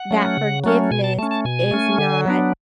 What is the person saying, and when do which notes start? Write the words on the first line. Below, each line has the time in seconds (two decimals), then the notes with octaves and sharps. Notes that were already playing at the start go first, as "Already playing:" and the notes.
that forgiveness is not
Already playing: F#5
0.11 F#3 A3 C#4
0.37 C#3
0.64 F#3 A3 C#4
0.91 B2 G#5
1.04 A5
1.19 A3 A5
1.23 C#4
1.31 A5
1.45 B2 G#5
1.71 A3 C#4
1.98 D3
2.26 F#3 B3 D4